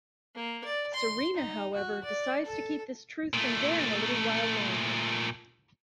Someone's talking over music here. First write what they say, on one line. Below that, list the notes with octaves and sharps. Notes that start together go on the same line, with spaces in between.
Serena, however, decides to keep this truth from Dan a little while longer.
A#3
D5
C6
D#4
F#4
D5
A4
A#2 A3